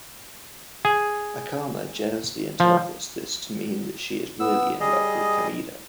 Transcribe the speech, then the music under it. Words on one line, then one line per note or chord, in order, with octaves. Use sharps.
Akama jealously interprets this to mean that she is really in love with Kameda.
G#4
F3
B3 E6
G3 G#4 D#5